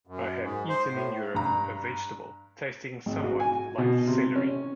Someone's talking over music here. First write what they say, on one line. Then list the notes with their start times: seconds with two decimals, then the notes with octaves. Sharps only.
I have eaten in Europe a vegetable tasting somewhat like celery.
0.07 F#2
0.43 G#2
0.69 C5
0.91 A2
1.34 G2 A#5
3.06 G#1
3.24 F#4
3.40 G#5
3.78 B2
4.07 C3
4.36 C#4